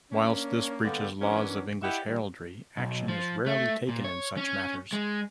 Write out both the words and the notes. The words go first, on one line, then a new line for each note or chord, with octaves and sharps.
Whilst this breaches laws of English heraldry, action is rarely taken in such matters.
A#3 C#4 D4
D3 G3 A#3 B3 D4 G4
E3 F#3 B3 C#4 D4 A#4
E4 G4 D#5 E5 F#5
D#3 G3
B1
F3
A3
A#2
C#5
C#4
G#3